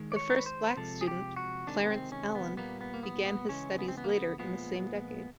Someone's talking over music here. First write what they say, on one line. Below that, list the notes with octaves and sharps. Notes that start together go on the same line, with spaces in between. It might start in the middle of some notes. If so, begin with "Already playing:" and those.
The first black student, Clarence Allen, began his studies later in the same decade.
Already playing: D#3 G#3
D5
C#5
A#4
B4
C5
C3 F3 G#3 A4
G#4
G4
F#4
C3 D#3 G#3 D4
B3
C4
C#4
B3
A#2 G3 A#3 B3
B3
A#3
B3
B3
C#3 E3 G#3 C#4
B3
C4
B3
A#3
B3
A#2 F3 G#3 B3